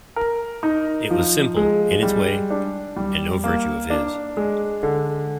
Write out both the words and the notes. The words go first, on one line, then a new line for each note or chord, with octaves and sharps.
It was simple, in its way, and no virtue of his.
A#4
D#4
F3
G#3
G3
D4
G3
A#3
D4
G#3
D3